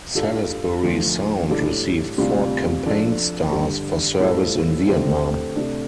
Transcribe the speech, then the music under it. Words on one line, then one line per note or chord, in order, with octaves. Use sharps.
"Salisbury Sound" received four campaign stars for service in Vietnam.
G2 G3 F4 A4
D2 D3 F3 A3
A2 G3 D4 A4 D5
D2 C3 G3 D4 F4
F3 D4 A4
G2 D3 G3
A2 G3 F4 A4 C5
D3 A3 C4 G4
C3 A3 D4